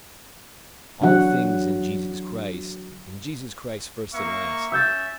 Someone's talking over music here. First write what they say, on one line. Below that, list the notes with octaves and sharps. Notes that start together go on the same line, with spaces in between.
All things in Jesus Christ--in Jesus Christ, first and last.
D3 E3 F#3 D4 F#4 F#5
A#3 E5 C#6
C#4 E5 E6 G6 A6